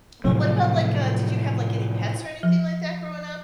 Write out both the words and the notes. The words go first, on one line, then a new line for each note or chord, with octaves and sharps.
But what about like, uh did you have like any pets or anything like that growing up?
A2 C3 F3 F#3
F3